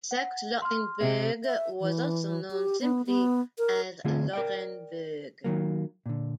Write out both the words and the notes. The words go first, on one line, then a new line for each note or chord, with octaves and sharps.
Saxe-Lauenburg was also known simply as Lauenburg.
F#5
C6 F6
C3 E5
E5
E3
G4
B3
B3
A#4
D3 A3 C4 F4 G#4
A#4 D5 G5
D#3 F#3 A#3
A#2 D3